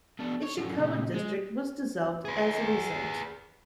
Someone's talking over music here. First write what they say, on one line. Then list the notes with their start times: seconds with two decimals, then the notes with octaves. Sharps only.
Ishikawa District was dissolved as a result.
0.19 B2 D4
0.43 C#5
0.57 F#2 A2
0.78 A#2 C#3
1.14 G#3
2.25 G#4 B4